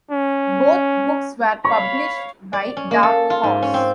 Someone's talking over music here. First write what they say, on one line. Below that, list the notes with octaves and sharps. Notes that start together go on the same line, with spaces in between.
Both books were published by Dark Horse.
C#4
C#5 F5 B5 C#6
D5
C#4
A#3
A4
F4
G#2
C#4
C4